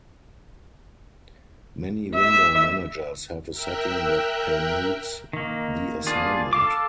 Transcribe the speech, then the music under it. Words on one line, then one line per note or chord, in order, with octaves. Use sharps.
Many window managers have a setting that permutes the assignment.
E5
A#4 E5 G5 E6 F#6
D#3 A#3
A#3 D4 F4 G#4
A4 F5 D6